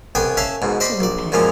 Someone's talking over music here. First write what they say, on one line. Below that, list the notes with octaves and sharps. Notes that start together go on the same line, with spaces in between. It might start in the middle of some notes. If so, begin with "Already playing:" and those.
Silly pet!
C2 B3 G#4 G5 G#5
C#4 E5 F5 A5
G#2 B2
C5 D5 D#5 B5 C6
A#1 D5
F#2 A#2 F3 G#3 C#4 F4